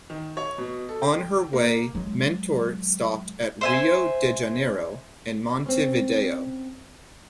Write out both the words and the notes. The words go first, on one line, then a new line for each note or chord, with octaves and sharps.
On her way "Mentor" stopped at Rio de Janeiro and Montevideo.
D#3
C#5
B2
A4
G5
A#3
F#3 G#3
C5 E5 G#5
C4 C#4